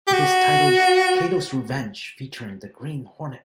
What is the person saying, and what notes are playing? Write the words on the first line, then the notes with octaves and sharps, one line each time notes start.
It is titled "Kato's Revenge Featuring the Green Hornet".
G4
F#4